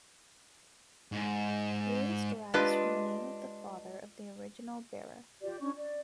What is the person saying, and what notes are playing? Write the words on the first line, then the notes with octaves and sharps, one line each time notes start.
Ruiz derives from the name of the father of the original bearer.
G#2
G#3 D4 F4 G4 B4 D#5
F4 G4 D5
C#4 D4 C#6
D5